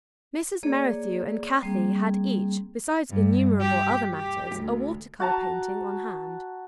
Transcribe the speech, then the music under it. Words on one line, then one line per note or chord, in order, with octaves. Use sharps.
Mrs. Merrithew and Kathie had each, besides innumerable other matters, a water-colour painting on hand.
A#3 G#4 C#5 D5
G3 A#3 C4 G#4
G2
G4
G4
D2
F#4 A5 A#5